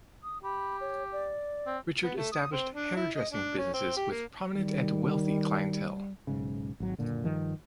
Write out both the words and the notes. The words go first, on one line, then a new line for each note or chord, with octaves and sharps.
Richard established hairdressing businesses with prominent and wealthy clientele.
D#6
G4 B5
C#5
D5
C4
B3
A3
D#6
C4
D4
E4
D#5
D4
C#4
C4
G4
A#3
D#3 G3
B1 G#2 C#3
G#1 F#3
F#1 A#2 D3
G2 D#3 F3